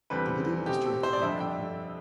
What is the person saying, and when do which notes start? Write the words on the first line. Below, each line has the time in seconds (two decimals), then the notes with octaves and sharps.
The video is directed by Capone.
0.10 E2 D3 G3 C4 B4
0.66 B2 A3 C4 G4
0.85 A4
1.03 C5
1.13 D5
1.21 F2 D3 G3 D4 E5
1.40 G5